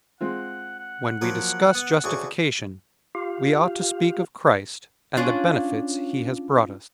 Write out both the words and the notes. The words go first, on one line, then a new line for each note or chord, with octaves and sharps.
When we discuss justification we ought to speak of Christ and the benefits He has brought us.
G#3 C4 F4 F#5
F#5
F3 F#3 A#3
B3
D2 C#3 C#6
F4 G4 F5
C#4 D4 F4